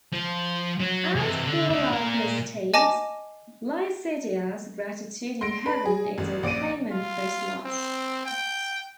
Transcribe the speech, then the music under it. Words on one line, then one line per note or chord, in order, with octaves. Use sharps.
As Paul Alpers states, Lycidias' gratitude in heaven is a payment for his loss.
F3
F#3
C3 E3
D3
D4 E5
A#2 A#4
D#5 G#5 A5 D6 A#6
C6 A#6 D7
B4
G#4
A1
A#1 D5 D7 D#7
F4
C4
G5